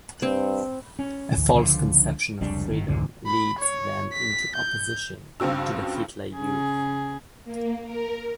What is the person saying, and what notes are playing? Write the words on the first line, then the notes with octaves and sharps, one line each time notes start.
A false conception of freedom leads them into opposition to the Hitler Youth.
G2 C4
C#4
A1 D2
C#2 D3 F3
F1 C#2 G3 D4
G1 D#3
F1 C#2 G#2 D3
B5
C#5
B6
G6
C#2 G2 C4 F#4 E6
C#3 G#4
A#3
A#4